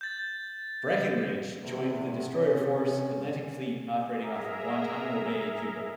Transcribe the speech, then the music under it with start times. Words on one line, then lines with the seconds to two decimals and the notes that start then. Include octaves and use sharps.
"Breckinridge" joined the Destroyer Force, Atlantic Fleet operating off Guantanamo Bay, Cuba.
0.01 G6 A6
1.63 E2 C3
2.35 C#4
4.18 G#4 A#4 E5 A#5